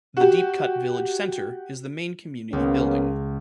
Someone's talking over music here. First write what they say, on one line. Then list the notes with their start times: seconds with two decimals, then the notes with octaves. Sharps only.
The Deepcut Village Centre is the main community building.
0.17 F#4 G4
2.53 C#2 A#3 B3 C#4